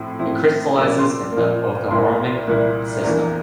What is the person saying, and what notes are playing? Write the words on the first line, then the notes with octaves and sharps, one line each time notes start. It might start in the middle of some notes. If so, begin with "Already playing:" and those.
It crystallizes in the orthorhombic system.
Already playing: A2 F3 C4 E4
A2 F3 C4 E4
A#2 F3 A#3 E6
D6
C6
D6
A#2 F3 A#3
C2 A#2 G3 A#3 E4 C6
C2 A#2 G3 A#3 E4
E2 E3 A#3 D4 A#5